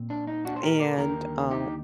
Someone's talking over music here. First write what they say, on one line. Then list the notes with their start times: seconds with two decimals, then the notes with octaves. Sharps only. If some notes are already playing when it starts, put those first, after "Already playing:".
and, um
Already playing: A#2 C4
0.10 D4
0.27 D#4
0.45 D4 F#4
0.56 C5
0.63 G4 A#4
0.80 A#4 D5
0.98 D#2 D3 G3 G4 A#4
1.51 D#4 G4